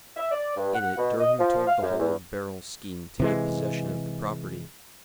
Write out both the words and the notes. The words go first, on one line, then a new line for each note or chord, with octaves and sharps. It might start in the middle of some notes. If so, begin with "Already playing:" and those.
In it Durham told the whole of Beryl's scheme to get possession of the property.
E5
D5
G2
F#5
B2
D#5
F3
F5
F#2
E2
C3 E3 G#3